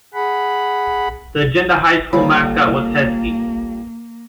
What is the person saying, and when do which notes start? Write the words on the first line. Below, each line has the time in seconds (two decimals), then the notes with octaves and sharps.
The Agenda High School mascot was Huskies.
0.14 G#4 F#5 B5
2.13 D3 G3 A#3 F4 A4 C#5 B5